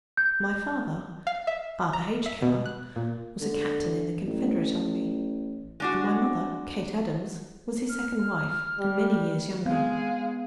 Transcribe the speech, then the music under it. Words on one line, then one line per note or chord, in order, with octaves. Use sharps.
My father, Arthur H. Keller, was a captain in the Confederate Army, and my mother, Kate Adams, was his second wife and many years younger.
G6
F5
E5
A#5
E5
B2
F#6
A#2
D3
A1
G#3 D4 F#4
F6
G3
G#3 B3 C4 G#4 F5